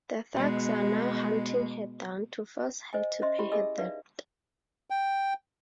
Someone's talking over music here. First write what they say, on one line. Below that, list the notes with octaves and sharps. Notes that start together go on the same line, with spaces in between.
The thugs are now hunting her down to force her to pay her debt.
B2 G#3
C5 D#5 G#5
C#4 C5 D#5 E5 C6
E4 G4 G5 B5 C6
G#4 A4 D#5 E5 G#5 E6
D#4 B4 D5 E5 F5
G5